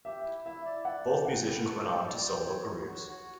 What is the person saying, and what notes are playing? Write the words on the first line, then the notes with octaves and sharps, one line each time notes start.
Both musicians went on to solo careers.
G4 E5
E4
E4 E5
D5
D5 F#5
G5
F#5 G5
B4
A4 C#6
G5
D5
G5
C#5
C#5
F#4
F#4